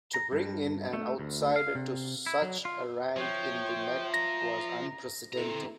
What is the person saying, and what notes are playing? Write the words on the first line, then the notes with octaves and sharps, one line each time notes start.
To bring in an outsider to such a rank in the Met was unprecedented.
A#5
G2
A3
D2
F5
C3
E4
F#3
F4
F3 C#5 E5 G5
A#5 A#6
C4 E4 A4 A#5